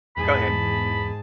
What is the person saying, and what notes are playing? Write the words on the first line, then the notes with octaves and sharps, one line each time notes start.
Go head.
E2 G#2 G#4 A5 B5